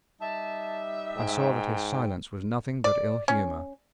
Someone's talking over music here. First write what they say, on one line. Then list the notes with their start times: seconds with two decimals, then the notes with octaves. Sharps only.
I saw that his silence was nothing but ill-humour.
0.20 G3 D#4 E5 A5
1.16 G#2 G5
2.84 D5
3.28 C#4